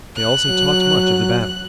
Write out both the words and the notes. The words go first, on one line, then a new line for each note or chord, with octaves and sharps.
They also talked much of the battle.
F#6
F#3